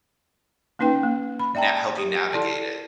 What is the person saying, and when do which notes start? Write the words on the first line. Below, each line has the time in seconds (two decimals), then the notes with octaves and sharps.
na help you navigate it.
0.79 A#3 C#4 D#4 B4 G5
1.03 A#3
1.39 B5
1.55 D5 E5 G5 A5 A#5
1.98 G4
2.33 E4 A4 D5 A5